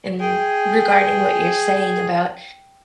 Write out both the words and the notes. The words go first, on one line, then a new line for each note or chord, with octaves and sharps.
and regarding what you're saying about,
G#4 G5 G#5